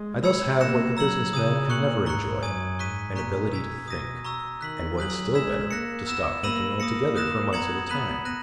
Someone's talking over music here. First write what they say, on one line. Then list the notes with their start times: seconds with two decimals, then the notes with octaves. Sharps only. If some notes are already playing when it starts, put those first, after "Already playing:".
I thus have what the business man can never enjoy, an ability to think, and, what is still better, to stop thinking altogether for months at a time.
Already playing: G#3
0.24 B5 E6 G#6 C#7 F#7
0.60 A#3 F#6 A#6 C#7 E7
0.97 F#3 A#5 E6 G#6 C#7 F#7
1.33 C#3 D#6 G#6 D#7
1.69 A#2 C#6 F#6 C#7 F#7
2.06 G#2 A#5 C#6 F#6 C#7
2.43 F#2 G#5 D#6 G#6 D#7
2.79 G#2 C#6 F#6 B6 D#7
3.15 A#2 A#5 C#6 F#6 B6 D#7
3.52 B2 E6 G#6 B6
3.88 D#6 A#6 D#7
4.25 A#5 C#6 E6 A#6
4.61 D#3 F#6 B6 F#7
4.97 F#3 G#5 D#6 F#6 B6 F#7
5.34 G#3 E6 G#6 B6 E7
5.71 A#3 F#6 A#6 C#7
6.07 B3 E6 A#6 E7
6.43 A#3 B5 E6 A#6 D#7 F#7
6.80 A#3 D#6 A#6 C#7
7.16 D#6 F#6 A#6 E7
7.53 B3 A#5 D#6 G#6 C#7 F#7
7.89 B3 B5 F#6 B6 D#7 F#7
8.25 F#6 A#6 D#7